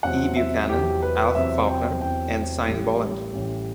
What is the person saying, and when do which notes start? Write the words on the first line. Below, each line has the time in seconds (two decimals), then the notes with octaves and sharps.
E Buchanan, Alf Faulkner and Sine Boland.
0.03 E2 C3 F#3 C4 F#5
0.36 E5
0.69 E2 C3 F#3 C4 G4
1.02 B4
1.35 E2 C3 F#3 C4 E5
1.68 G5
2.01 E2 C3 F#3 C4 G5
2.67 A1 A2 E3 G3
3.33 A1 A2 E3 G3